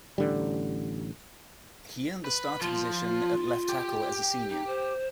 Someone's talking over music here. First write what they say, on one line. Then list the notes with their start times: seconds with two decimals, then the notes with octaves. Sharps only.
He earned the starter position at left tackle as a senior.
0.18 A1 D3 G3
2.24 B4
2.61 F3 F4
3.69 G4 G5
4.50 D#4
4.67 C5